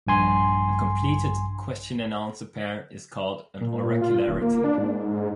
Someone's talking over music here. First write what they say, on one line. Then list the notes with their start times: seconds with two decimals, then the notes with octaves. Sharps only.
A completed question-and-answer pair is called an "Oracularity".
0.07 A#1 G2 G#5 C6
3.60 A#2
4.01 F4
4.27 D#1
4.42 A#3
4.64 D4
4.78 G#2